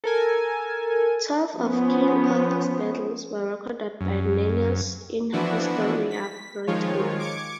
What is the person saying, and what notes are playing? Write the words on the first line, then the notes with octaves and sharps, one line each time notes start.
Twelve of King Arthur's battles were recorded by Nennius in "Historia Brittonum".
A4 A#4 G#5
F3 B3 C#4
F#2
E3 F3 B3 D4 E4 F#4
B6
D#3 F3 G#3 F4 C#5
D6 G#6 C#7